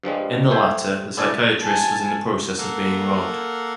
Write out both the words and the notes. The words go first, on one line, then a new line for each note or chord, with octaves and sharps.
In the latter, the psychiatrist was in the process of being robbed.
G2 F3 G3 G#3
A3 C5 E5 G5 G#5
B3 D4 E4 A4 D5 G#5
G#5 A5
A#3 A4 A#4 F5 F#5